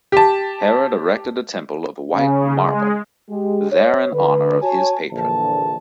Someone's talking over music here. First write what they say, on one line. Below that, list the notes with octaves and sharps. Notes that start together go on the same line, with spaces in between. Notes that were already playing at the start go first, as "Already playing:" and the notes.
Herod erected a temple of 'white marble' there n honour of his patron.
G4 A5
C#3
G#3
G#3 G4
C#5
D3 B4
F#4 C#5 G#5 A5
A#1 D3 E3 A5